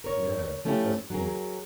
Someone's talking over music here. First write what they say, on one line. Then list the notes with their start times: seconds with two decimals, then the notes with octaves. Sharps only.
Yeah. That's cool.
0.04 A#4 C#5
0.65 F3 A3 C#4 E4 F4 G4
1.10 F#3 G#4 A#4